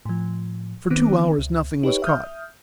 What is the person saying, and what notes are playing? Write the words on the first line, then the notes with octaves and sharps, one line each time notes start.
For two hours nothing was caught.
A2 F3
D#3 B3 C4
C#2
D#4 G4 B4 C#5
E5 D#6 F6 G6